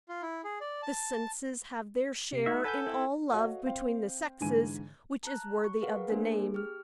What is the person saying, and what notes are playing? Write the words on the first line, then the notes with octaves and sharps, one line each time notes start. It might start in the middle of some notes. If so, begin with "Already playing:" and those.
The senses have their share in all love between the sexes which is worthy of the name.
F4
E4
G#4
D5
A5
C3 C7
A3 D#4 F#4 E5
A4 B4 F#5 G#5 G6
C4 E4
F#4 A4 C#5 D#5 F5 F#5
C4 F5 G5
G#2 D3 E3 G#5 D#7
A5 A#5 F#6
C#6
G#4 A#4 B4 F5 F#5
A#3 D4 G#4 A#4 C5 G#5
G#4
G4 F6